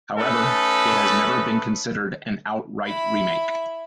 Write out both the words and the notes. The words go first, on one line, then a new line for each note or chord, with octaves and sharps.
However, it has never been considered an outright remake.
A3 C#4 D#4 A4 B4
E4 B5